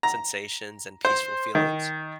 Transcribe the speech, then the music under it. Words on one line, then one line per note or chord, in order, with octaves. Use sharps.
sensations and peaceful feelings.
A#5
C5
D#3